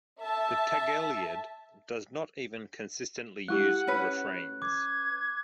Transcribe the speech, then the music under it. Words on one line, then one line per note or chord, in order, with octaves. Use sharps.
The tagelied does not even consistently use refrains.
A4 E5 A5
G#3 E4 G4 F#5 F#6
C#4 B4
D6 G#6